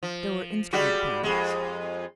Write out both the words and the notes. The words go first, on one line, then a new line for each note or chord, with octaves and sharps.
There were instrument panels.
F3
G3 G#3 F#4
F2 G#3